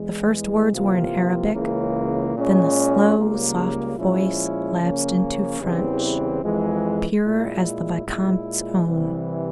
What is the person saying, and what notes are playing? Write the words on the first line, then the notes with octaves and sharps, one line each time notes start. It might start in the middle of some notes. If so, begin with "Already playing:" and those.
The first words were in Arabic, then the slow, soft voice lapsed into French, pure as the Vicomte's own.
Already playing: E2 E3 G#3
C3 E3 A#3 F4
C#2 C#3 E3 A#3
A#2 G#3 C#4
C#2 C#3 G3 A#3
A#2 F3 G#3 C#4 E4
C#3 F3 A#3 C#4
E2 C#3 E3 G3 C4
F2 E3 G#3
A#2 G#3 E4
A#2 G#3 E4
C2 C3 E3